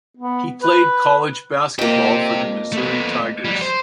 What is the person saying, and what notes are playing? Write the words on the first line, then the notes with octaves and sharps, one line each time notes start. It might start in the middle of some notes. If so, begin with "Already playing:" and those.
He played college basketball for the Missouri Tigers.
B3
B4
F2 A#3 C4 G4
A3 B3
F#3 G3
C5